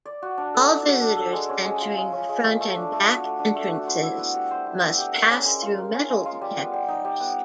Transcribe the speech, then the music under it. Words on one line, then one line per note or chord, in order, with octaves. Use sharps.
All visitors entering the front and back entrances must pass through metal detectors.
D5
F#4
D4
A4
D5
F#4
D4
A4
G#3
C#4
G#3
F4
G#3
C#4
G#3
F4
A3
D4
A3
F#4
A3
D4
A3
F#4
C5
E4
B3
G4
C5
E4
B3
G4
A#4
C#4
G#3
F4
A#4
C#4
G#3
F4
G3
B3
G3
D#4
G3
B3